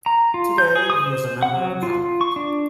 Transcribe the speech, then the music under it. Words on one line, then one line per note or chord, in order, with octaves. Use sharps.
Today he is a Member of Parliament.
A#5
F4
G6
G#4
D#6
C5
F#5
F#3
F4
C#6
D4